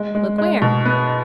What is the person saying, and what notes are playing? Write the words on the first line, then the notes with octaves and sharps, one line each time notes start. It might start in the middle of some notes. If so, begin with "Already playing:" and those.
"Look where?"
Already playing: G#3
G#3
G#3
B2
B3